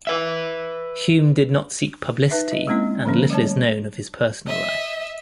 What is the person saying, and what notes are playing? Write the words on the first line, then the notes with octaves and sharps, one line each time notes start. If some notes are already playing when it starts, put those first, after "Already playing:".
Hume did not seek publicity and little is known of his personal life.
B4 E5
D#4 B4 E5
D#5
G#3 A#3 C4 C#4 E4
D3 F3 A#3 C#4
G3 A3 C#5 A5
D#5 E5